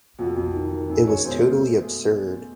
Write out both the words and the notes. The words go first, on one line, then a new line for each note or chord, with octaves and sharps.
It was totally absurd!
F2 F#4
F2
D#3
D#3
F#2
G#3 C#5
B2 C5
A3